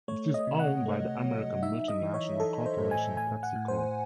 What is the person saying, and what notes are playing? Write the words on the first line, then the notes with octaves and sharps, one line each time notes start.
It is owned by the American multinational corporation, PepsiCo.
A3 C#5
D#5
C3
F#5
A3
F#3
D#4 E5
D#5
E3
C#5
E3 A4
C5
A2
G#5
A2 G#5
F#5
A2
C5